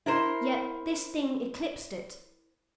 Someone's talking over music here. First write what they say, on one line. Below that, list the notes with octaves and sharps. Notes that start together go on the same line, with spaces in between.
Yet this Thing eclipsed it.
E4 A#4 C5